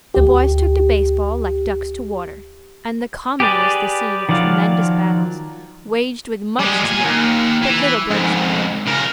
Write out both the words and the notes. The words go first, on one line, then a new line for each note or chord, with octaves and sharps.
The boys took to base-ball like ducks to water, and the common was the scene of tremendous battles, waged with much tumult, but little bloodshed.
D2 G4
G4 G#4 B4 D5
D#3 F3 F#3 D5 F5
G3 G#3
A#2 G#5
D#2
E3
F2 G#2
C#3 A#4